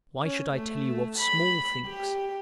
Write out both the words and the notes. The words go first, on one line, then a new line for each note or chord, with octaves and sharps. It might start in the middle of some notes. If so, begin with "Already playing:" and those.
Why should I tell you of small things?
C#4
A3
B5
G4